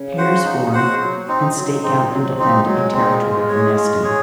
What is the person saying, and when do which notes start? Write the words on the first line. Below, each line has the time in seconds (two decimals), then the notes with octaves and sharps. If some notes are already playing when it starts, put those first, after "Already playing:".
Pairs form, and stake out and defend a territory for nesting.
Already playing: C#3
0.18 F#4 C5 F#5
0.45 D#4
0.73 F#4 C5 F#5
1.00 F#3
1.28 C4 D#4
1.55 C3 F#3
1.83 A#2 C4 D#4
1.97 A#2
2.10 C#3 F#3
2.24 F3
2.38 F#3 C4 D#4
2.46 A#3
2.51 G#3
2.65 F#3 G#3
2.93 C4 D#4
3.21 F4
3.49 G#4 C#5
3.76 F4
4.03 G#4 C#5